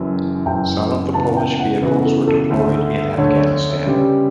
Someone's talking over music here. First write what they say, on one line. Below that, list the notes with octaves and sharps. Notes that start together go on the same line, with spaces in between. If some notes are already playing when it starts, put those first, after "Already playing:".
Some of the Polish vehicles were deployed in Afghanistan.
Already playing: F#1 F#2 E3
F#1 F#2 E3 G5
C#3 E3 B3 F#4 A5
G5
F#5
C#3 E3 B3 F#4 B4
A4
A4
D2 D3 A3
D2 D3 A3 C#5
C#3 G3 C#4 G4 B4